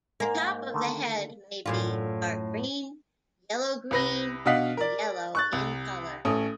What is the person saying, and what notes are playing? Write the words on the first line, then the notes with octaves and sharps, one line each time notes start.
The top of the head maybe dark green, yellow-green or yellow in colour.
G#2 A#3 F5
D3 D#3 A3
F#2 A2 E3 D4 F4
C2 B4 A#6
B2 D4 D#5 F5 F#5 B6
A#4 D5
C#6 F#6 A6
C2
A1 C#4 A4 D#6